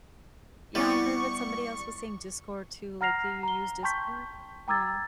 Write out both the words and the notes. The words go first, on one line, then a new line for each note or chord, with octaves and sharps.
Yeah, I heard what somebody else was saying Discord too. Like, do you use Discord? Yeah.
G3 B3 E4 D5 C#6
F#5 A#5 F6 A#6 C7 F7
A#5 G7
G5 A5 C6 C#6 G6 B6
G5 A#5 D6 E6 G#6 A6